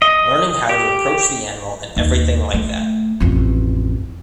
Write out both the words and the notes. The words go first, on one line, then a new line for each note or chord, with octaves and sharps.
Learning how to approach the animal and everything like that.
D#5
G4
D#2 G#3
A3
A1 F2